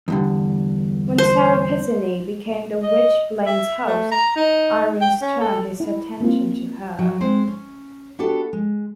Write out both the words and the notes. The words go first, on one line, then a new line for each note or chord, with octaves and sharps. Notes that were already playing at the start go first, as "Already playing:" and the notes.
When Sara Pezzini became the Witchblade's host, Irons turned his attention to her.
E2 G2 D3
C5
D#5
E5
A3
A#5
D#4
G5
C#4
A4
E4
A#3 C4 F4
F#3
G#3 C4 C5
C#4
B3 D4 F#4 G4 A4 E5
G#3